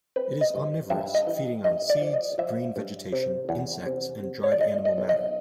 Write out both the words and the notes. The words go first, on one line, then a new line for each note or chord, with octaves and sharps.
It is omnivorous, feeding on seeds, green vegetation, insects, and dried animal matter.
C4 B4
D#5
G2
G2 E5
D#5
E3
G2 D#5
D5
F3
D#5
F3 E5
G2
C3
E2
C3
C3
C#5
D5
A2 D#5
D#5
B1
D#5